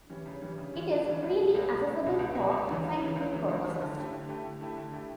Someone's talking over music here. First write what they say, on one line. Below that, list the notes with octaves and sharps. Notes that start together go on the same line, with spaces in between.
It is freely accessible for scientific purposes.
E3 G3 C#4
C#3
E3 G3 C#4
C#3
E3 G3 C#4
C#3
E3 G3 C#4
C#2
B2 G3
C#2
B2 G3
C#2
B2 G3
C#2
B2 G3
C#2
C#3 E3
C#2
C#3 E3
C#2
C#3 E3
C#2
C#3 E3
D3
A3 E4 G4
D3
A3 E4 G4
D3
A3 E4 G4
D3
A3 E4 G4